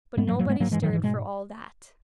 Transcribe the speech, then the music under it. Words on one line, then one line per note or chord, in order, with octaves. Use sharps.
But nobody stirred for all that.
G#2 G#3 B3
F#3 A#3
G#2
F#3 A#3
G#2 G#3 B3
G#2 F#3 A#3
E3 G#3
G#2
D#3 F#3
G#2 E3
B2 G#3